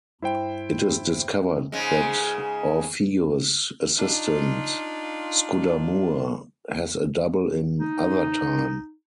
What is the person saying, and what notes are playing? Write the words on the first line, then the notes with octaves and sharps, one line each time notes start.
It is discovered that Orfieu's assistant, Scudamour, has a double in Othertime.
G2 E4 C5 G5
G#2 C#3 G#3
D4 D#4 F4
D#4